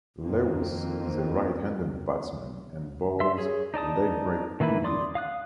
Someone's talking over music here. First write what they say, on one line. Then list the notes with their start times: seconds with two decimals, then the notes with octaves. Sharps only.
Lewis is a right-handed batsman and bowls a legbreak googly.
0.20 F2 D#3 A#3 C4
3.20 E5 C6
3.38 G#4 C#5
3.74 D#4 D5 A5 D#6
4.60 D#3 E3 A#3 E4 B4
4.84 D5 C6 D6 D#6
5.15 F5 D#6 F#6